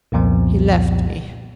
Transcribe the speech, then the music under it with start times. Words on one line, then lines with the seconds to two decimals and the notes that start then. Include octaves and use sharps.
He left me.
0.12 C2 F2 A#2 F3 B3